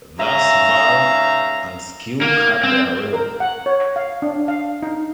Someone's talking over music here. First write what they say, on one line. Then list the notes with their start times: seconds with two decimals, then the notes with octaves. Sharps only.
Thus valor and skill had their reward.
0.19 G#2 C#4 E5 F5 A#5
2.22 A#3
2.63 C4
3.13 A#4
3.40 F#5
3.66 C#5
3.96 F5
4.22 D4
4.48 F5
4.83 D#4